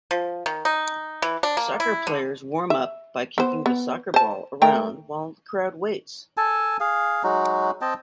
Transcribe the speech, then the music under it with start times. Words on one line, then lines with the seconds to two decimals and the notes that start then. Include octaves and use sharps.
Soccer players warm up by kicking the soccer ball around while the crowd waits.
0.11 F3
0.46 D#3
0.65 D#4
1.22 E3
1.43 D4
1.57 A#3
1.80 E4
2.07 D3
2.70 E5
3.38 B3 C5
3.66 B3
4.14 C5 A5
4.62 A3 A#4 G5
6.37 A4 G#5 A5
6.80 G#4 F5
7.23 F#3 G#3 D#4 F#4
7.81 C4 D#5 G5 A5